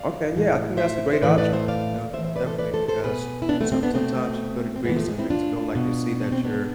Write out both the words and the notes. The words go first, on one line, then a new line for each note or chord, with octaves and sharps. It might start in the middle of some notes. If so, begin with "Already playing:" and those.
Okay. Yeah. I think that's a great option, you know? D definitely because some sometimes you go to Greece and Mexico, like, they see that you're
Already playing: D5 F5
A2 E3
C5 E5
C5
A2 E3 B4 D5
B4 D5
C5 E5
D5 F5
A2 E3 C5 E5
C5 E5
B4 D5
A4 C5
B4 D5
A4 C5
A4 C5
B2 G#4 B4
E4
B3 D4
A3 C4
A3 C4
B3 D4
B2 A3 C4
C4
A2 E3 G#3 B3
F3 A3
G#3
C4 E4
D4 F4
B2
D4
C4
B3 D4